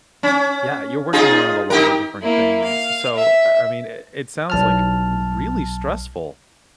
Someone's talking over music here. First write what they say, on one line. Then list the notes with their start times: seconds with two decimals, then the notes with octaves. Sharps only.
Yeah, you're working around a lotta different things, s so, uh, I mean, i it sounds, like, really stressful,
0.23 C#4
1.13 D#4 F4 G#4
1.70 D#4 G4 A#4
2.21 A#3 E4
2.64 F5
3.16 E5
4.50 B1 A5 F6